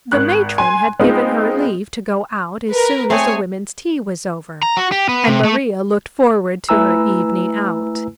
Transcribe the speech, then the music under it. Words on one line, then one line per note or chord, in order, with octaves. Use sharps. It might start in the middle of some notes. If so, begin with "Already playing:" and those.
THE matron had given her leave to go out as soon as the women's tea was over and Maria looked forward to her evening out.
G#1 F#6
G#5 C6
G#3 B3 C4 D#4 F4
A#4 B4
A3 C4 G#4 C#5 G#5
A#5
F#4
G4
B3
C3
A3
A3 E4 B4 G#5 A#5 E6